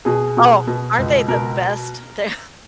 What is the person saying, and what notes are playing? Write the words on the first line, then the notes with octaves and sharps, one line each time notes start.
Oh, aren't they the best? They're
B2 G#4
B2
B2
C#2
B2 A#4